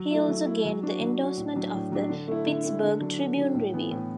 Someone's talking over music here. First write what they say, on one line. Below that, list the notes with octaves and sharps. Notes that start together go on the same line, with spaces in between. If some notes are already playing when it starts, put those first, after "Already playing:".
He also gained the endorsement of the "Pittsburgh Tribune-Review".
Already playing: F#3
A3 E4
F#3
A3 E4
F#3
D4 F#4
F#3
D4 F#4
A2
F#3 D4
A2
F#3 D4
D3
A3 E4
D3
A3 E4
D3
F#3 D4
D3
F#3 D4
A2
E3 B3
A2